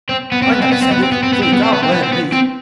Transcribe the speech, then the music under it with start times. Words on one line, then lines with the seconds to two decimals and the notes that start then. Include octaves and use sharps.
"I never said it--so you can't blame me."
0.09 C4
0.32 B3
0.42 C4
0.52 B3
0.62 C4
0.72 B3
0.83 C4
0.92 B3
1.03 C4
1.12 B3
1.23 C4
1.33 B3
1.42 C4
1.53 B3
1.63 C4
1.73 B3
1.83 C4
1.93 B3
2.03 C4
2.13 B3
2.33 C4